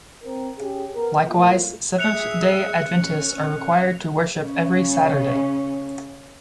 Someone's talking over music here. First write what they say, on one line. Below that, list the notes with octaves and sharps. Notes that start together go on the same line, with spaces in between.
Likewise, Seventh-day Adventists are required to worship every Saturday.
C4 A#4
C#4 G4 G#4
B3 A#4
F3 A3 A#3 E4 F4
G#4 E5 F#6 C#7 F7
C#4
C#3 C#4